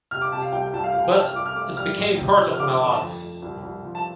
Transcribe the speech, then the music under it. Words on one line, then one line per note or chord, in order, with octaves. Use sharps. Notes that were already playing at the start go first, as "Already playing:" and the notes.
But it became part of my life.
C3 F6
D6
C3 A5
F5
C2 G5
G5
C2 A5
F5
C2 F5
G5
C3 A5
F6
C2 D6
F6
A3 D6
G3 F6
A1
C3
F3
F6
D3 D6
D6
D3 D6
A5
F2
F2
C2
C2
F3
A5